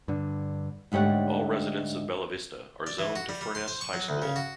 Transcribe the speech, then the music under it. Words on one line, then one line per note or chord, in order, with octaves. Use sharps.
All residents of Bella Vista are zoned to Furness High School.
G2 D3
D2 G#2 G3 C#5 F#5
D5
E3
F#4
G3
G3
C6
C5
C#6
F#3
D2
C#3
F#4